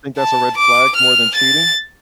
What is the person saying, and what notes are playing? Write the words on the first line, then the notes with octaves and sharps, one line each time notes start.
Think that's a red flag more than cheating?
A5
D6
F6
A6